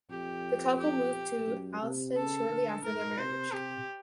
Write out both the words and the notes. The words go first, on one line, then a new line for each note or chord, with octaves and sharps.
The couple moved to Allston shortly after their marriage.
F2 G4
G4
F#2
C3
C#3 A4
D3
G#2 A#4
C3 C5
C3 G4